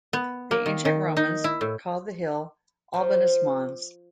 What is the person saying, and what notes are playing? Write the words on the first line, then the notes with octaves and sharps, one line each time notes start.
The ancient Romans called the hill Albanus Mons.
B3
A#3
D#3
D#3
D#4
E4
A2
F3